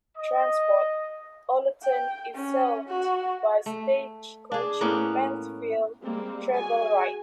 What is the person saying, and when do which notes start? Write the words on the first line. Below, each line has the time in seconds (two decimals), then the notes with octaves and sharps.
Transport: Ollerton is served by Stagecoach Mansfield, Travel Wright.
0.17 D#5
1.83 G5
2.34 C#4
2.88 F#4
3.66 A3
4.52 D4 G#4
4.81 A2 A#3 B3 C#4
6.02 G3 G#3 A#3 C4
6.54 F#4 G#4 G#5